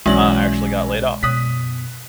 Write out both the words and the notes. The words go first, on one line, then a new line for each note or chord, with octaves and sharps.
uh, I actually got laid off,
B1 E3 F#3 G#3 C#4 D5 F#7
F#2 B2 D#6 F#6 B6